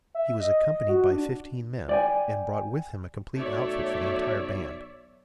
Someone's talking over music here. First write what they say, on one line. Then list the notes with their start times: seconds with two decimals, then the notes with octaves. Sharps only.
He was accompanied by fifteen men, and brought with him a complete outfit for the entire band.
0.15 E5
0.40 D#5
0.59 D#5
0.89 F#4
1.11 D4
1.89 D5 G5 G#5
3.35 B1 F#3 A3 C#5 D5 E5